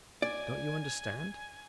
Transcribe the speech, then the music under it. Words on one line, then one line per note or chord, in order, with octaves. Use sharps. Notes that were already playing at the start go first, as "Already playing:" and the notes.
Don't you understand?
D5 G#5